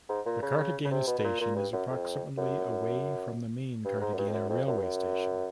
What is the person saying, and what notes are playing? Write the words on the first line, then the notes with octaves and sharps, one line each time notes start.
The Cartagena station is approximately away from the main Cartagena railway station.
G#2
A#2
C#3
C#3
C3
B2
B2
A#2
A#2
G2
F#2
F2
F#2
G2
G#2
F#2
G2
F2
F#2
F2
F#2
G2
F#2